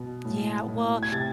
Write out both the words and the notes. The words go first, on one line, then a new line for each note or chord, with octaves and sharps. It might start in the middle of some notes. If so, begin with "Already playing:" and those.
Yeah, well,
Already playing: B2
A2
A2
G#6
C3 A6